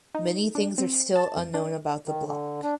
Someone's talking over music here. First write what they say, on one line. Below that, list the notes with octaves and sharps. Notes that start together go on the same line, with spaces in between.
Many things are still unknown about the bloc.
D#4
D4
C4
A5
F2
D4
D#3
D3
D4